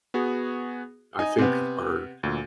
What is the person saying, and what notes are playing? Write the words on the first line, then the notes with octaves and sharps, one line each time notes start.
I think are
B3 F#4 G#4
D#4 G#5
C3 B3
D2 A#2